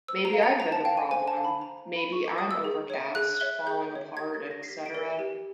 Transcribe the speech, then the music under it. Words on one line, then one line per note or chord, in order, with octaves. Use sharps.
'Maybe I've been the problem,' maybe I'm overcast, falling apart, etc...
C5 E6
A#5
F5
A#5
C5 A#5
A5
F5 G5
G#5
C5 G#5
A5
F5
B5
C5 A#5
A#5
F5
B5
G#4 C#6
D6
C#5 E5 D#6
E6
G#4
C#5 E5
G#4 F#6
C#5 E5 F#6
G#4 G6
C#5 E5
G4 G#6
A6
A#4 D5
A#6
C7
G4 B6
D7
A#4 D5
G4